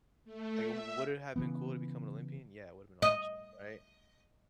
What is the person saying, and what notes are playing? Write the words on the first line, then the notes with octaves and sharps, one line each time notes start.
like, "W would it have been cool to become an Olympian?" Yeah, it would have been awesome, right?
A3
E5
C#3 E3 B3
D#5